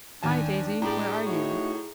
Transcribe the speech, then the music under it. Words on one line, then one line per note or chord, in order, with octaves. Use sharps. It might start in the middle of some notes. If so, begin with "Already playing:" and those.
"Hi, Daisy! where are you?"
D#2 D4 G#5 A5
A2 G4 G#4 A#5
A3 D#4 F#4 C#5